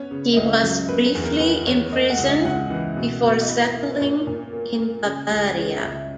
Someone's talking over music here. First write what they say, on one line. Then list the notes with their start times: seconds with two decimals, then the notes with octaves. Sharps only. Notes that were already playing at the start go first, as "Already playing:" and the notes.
He was briefly imprisoned before settling in Bavaria.
Already playing: B3 C#4 C#5
0.11 C#3
0.33 E5
0.37 C#2 D#5
0.63 F#3
0.89 A#3 B4
1.06 B4
1.15 E2
1.23 A#4
1.40 D#3 B4
1.66 E2 C#5
1.92 A#3 D#5
2.10 F#5
2.18 C#2
2.29 D#5
2.37 E5
2.45 C#2 F#5
2.70 E3
2.97 B2
3.23 B2
3.41 D#5
3.49 E4 E5
3.74 A#3
3.91 B4
4.01 A#2 C#5
4.27 A#2
4.53 A#3
4.79 A#3
5.05 C#3
5.31 C#2
5.57 G#3 C#5
5.74 E5
5.83 C#2
5.92 E5